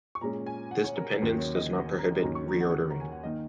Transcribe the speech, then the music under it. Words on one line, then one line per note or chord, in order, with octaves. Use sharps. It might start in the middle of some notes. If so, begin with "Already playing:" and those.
This dependence does not prohibit reordering.
C#6
A#2 G#3 C#4 A#5
G#5
F#5
C#5
A#4
C#5
D#2 D#3 F#3 C#4 A#4
C#5
D#5
F#5
G#5
A#5
A#5
D#2 D#3 F#3 C#4 A#5
C#6
A#5
F#5
A#5
G#5
F#5
D#3 A#3 D#4 D#5